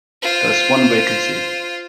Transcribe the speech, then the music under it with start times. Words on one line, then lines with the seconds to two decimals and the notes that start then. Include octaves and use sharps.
There is one vacancy.
0.22 F4 C5